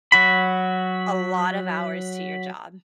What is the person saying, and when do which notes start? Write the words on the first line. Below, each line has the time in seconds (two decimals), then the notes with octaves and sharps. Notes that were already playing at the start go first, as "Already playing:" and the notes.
a lot of hours to your job.
0.12 F#3 F#4 B5